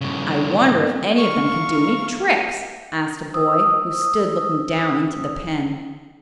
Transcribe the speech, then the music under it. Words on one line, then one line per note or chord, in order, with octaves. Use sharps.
"I wonder if any of them can do any tricks?" asked a boy who stood looking down into the pen.
G2 C#3
A3 A#4 F5 C#6
C5 D#6 E6